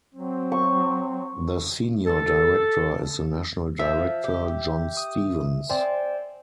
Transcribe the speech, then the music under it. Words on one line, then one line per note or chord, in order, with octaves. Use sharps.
The senior director is the National Director, John Stevens.
F#3 C4
C#6
A4
F3 E5
G4
D#6
C4 D5 G5 G#5